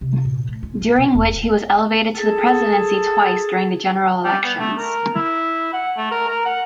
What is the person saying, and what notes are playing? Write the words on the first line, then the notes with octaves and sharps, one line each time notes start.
During which he was elevated to the presidency twice during the general elections.
C3
A#2
A3
F4
D1
B2
E1
G#4 A4 A5
G3
B3
A3
A#4
E4
F#5
A3
A#4
A#4
F#5